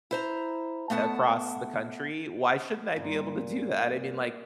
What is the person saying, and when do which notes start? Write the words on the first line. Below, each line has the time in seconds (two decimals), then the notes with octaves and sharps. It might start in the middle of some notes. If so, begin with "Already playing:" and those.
across the country. Why shouldn't I be able to do that? I mean, like,
0.11 E4 C5 A#5
0.90 A3 B3 F#5 A5
2.96 G2 A#2